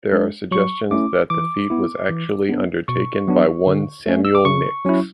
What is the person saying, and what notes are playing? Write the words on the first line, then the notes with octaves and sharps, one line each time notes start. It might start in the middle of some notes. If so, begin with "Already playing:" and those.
There are suggestions that the feat was actually undertaken by one Samuel Nicks.
G#3 D4
F#3 C#6
A3 C#4 E4 D6
E3 D6
B3 E4
E3
B3 D4
B2 C#6
F#3 B3 D4
D3
A3 C#4
E6
D6
C#3 C#6
F#3 C#4 E4